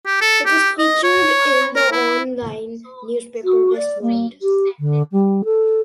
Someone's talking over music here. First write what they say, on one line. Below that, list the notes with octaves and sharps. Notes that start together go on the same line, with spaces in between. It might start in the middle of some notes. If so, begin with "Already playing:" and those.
It is featured in the on-line newspaper "West Word".
G4
A4
G4
D#5
C#5
A#4
E4
F#4
D5
A#3
G4
D3
G3
A4